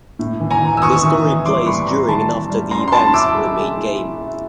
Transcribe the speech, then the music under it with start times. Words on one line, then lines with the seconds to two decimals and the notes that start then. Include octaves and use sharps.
This story plays during and after the events of the main game.
0.19 A2
0.40 E3
0.50 G#5 A#5
0.62 E3
0.77 E6
0.82 E3 C#6 D#6
1.04 E3
1.24 E3
1.45 G3 C6 D6
1.66 A2 B5 C#6
1.87 G3 A#5 C6
2.08 E3 A5 B5
2.29 G3
2.50 G3
2.71 C#4 A#5 C6
2.88 C6
2.92 C#4 A5 B5
3.14 E4 D6 E6
3.35 G#3
3.56 G#3
3.77 E4
3.98 G#3
4.18 E4